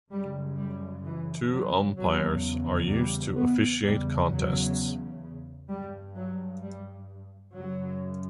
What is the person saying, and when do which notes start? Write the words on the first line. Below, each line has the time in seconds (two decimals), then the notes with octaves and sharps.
Two umpires are used to officiate contests.
0.12 F#2 C#3 G3
0.58 G3
1.05 E3
1.51 F#3
1.98 E2 C#3 F#3
2.91 G3
3.37 B3
3.83 E2 C#3 G3
4.31 F#3
5.69 G2 G3
6.16 F#3
6.63 G3
7.55 F#2 C#3 F#3